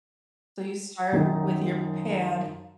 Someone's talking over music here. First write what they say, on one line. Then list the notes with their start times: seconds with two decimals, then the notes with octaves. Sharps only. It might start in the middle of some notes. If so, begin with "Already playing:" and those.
So you start with your pan,
1.12 F#2 D#3 F#3 D#4